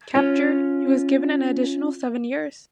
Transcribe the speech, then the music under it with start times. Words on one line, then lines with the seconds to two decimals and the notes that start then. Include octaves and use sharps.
Captured, he was given an additional seven years.
0.15 C#4 F4 C#5